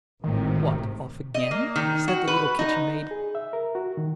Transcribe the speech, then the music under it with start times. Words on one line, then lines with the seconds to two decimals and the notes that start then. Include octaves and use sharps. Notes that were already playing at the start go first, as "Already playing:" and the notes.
"What, off again?" said the little kitchen-maid.
0.24 G#1 A2 C3 D#3
1.35 D#5
1.51 A#3
1.76 D#3
2.08 F#4
2.28 B4
2.59 D#4
3.11 G#4
3.35 E5
3.53 A#4
3.75 F#4
3.97 D#3